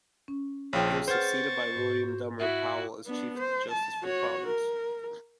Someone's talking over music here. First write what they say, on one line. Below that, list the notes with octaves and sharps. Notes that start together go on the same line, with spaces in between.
He was succeeded by William Dummer Powell as Chief Justice for the province.
C#4
A#1 F3 G#4 C#5 F5 G5
B4 C5 F#5 C#6 F6 A6
G#2 F#4
E4 F#4 E5
B3 D4
C5
A5
F#4 C#5
A#4